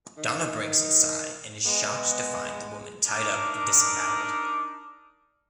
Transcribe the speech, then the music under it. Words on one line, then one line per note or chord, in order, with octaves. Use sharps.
Donna breaks inside and is shocked to find the woman tied up and disembowelled.
D#3
G#3 B3
D4 D#4 A#4 D6